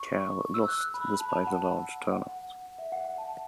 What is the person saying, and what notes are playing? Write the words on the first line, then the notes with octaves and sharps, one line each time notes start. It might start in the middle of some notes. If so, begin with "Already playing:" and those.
Cal lost despite a large turnout.
Already playing: C#6
E6
F#6
E6
B5
B5
A5
B5
A5
F#5
F#5
E5
F#5
F#5
A5